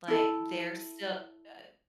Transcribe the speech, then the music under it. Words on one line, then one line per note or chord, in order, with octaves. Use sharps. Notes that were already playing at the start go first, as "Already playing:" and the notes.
Like, they're still, uh
E4 A4